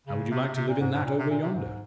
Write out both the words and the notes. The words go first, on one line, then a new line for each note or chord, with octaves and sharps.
"How would you like to live in that over yonder?"
C#3
C3
C3
A#2
G#2
G#2
A#2
C3
A#2
C3
G#2